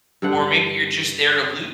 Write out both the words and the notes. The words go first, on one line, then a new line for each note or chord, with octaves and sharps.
or maybe you're just there to loot,
G2 D3 F#5